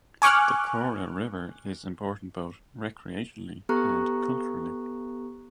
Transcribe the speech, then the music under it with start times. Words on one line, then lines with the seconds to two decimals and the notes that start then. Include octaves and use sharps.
The Caura River is important both recreationally and culturally.
0.22 G#5 C#6 D6 F6 F#6
3.69 B3 G4 A4 A#5 C#6 F#6